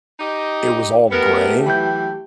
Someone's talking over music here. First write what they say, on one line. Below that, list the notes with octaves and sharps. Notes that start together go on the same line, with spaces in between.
it was all gray,
D#4 G4 D#5
A3 B3 G4 A#4
E3 F#3 G5 G6